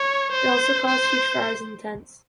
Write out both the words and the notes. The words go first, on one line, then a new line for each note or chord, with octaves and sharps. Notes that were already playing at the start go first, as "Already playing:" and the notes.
It also caused huge fires in the tents.
Already playing: C#5
C5
C5